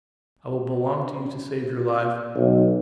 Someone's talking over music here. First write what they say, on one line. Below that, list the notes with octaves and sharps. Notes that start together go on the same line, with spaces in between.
I will belong to you to save your life.
B1